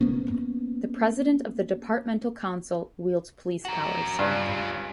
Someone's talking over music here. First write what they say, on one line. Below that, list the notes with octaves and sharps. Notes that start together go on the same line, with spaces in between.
The President of the Departmental Council wields police powers.
A#3 B3 C#4
F#4 A#4
G2 C#4 F4